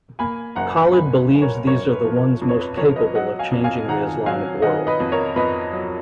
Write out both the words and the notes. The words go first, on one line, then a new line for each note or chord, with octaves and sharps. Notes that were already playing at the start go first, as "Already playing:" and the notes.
Khaled believes these are the ones most capable of changing the Islamic world.
A#3 G#5 B5
F#1 F#5 A#5
F#1 G#5 B5
F#1
A#4 C#5
F#1 A#4 C#5
B4
F3
A#4
F2
C#5
B4
F3 A#4 C#5
B4 D#5
F#3 D#5 F#5
F5 G#5
F2
F5 G#5
D#3 F#5 A#5
F#3 F5 G#5
D#3 D#5 F#5
B4 D#5
F2
A#4 C#5
F2 B4 D#5
F#3